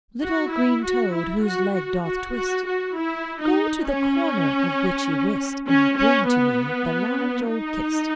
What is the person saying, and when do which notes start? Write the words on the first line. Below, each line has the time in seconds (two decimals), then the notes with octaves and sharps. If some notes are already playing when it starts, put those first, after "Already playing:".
'Little green toad whose leg doth twist, Go to the corner of which you wist, And bring to me the large old kist.'
0.23 F#4
0.54 E4
0.84 F#4
1.14 E4
1.44 F#4
1.75 F#4
2.05 F#4
2.35 F#4
2.66 F#4
2.96 E4
3.41 D#4
3.87 C#4
5.68 C#4
5.98 C#4
6.29 B3
7.50 D#4